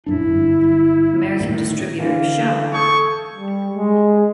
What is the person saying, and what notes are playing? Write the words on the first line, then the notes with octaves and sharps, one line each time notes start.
American distributor Shout!
A#1 F#2 D4 E4
G1
A2 D#3
D3 E3 F5
A4 C#6 D#6 G6 G#6
G3
G#3